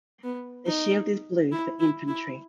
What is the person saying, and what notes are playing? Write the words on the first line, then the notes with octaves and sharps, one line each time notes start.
The shield is blue for infantry.
B3
D#4
E4
E4
E4